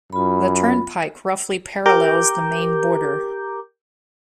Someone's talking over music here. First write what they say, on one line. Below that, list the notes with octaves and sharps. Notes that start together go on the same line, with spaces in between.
The Turnpike roughly parallels the Maine border.
F#2 F4 B5
G4 A#4 A#5 D6 G6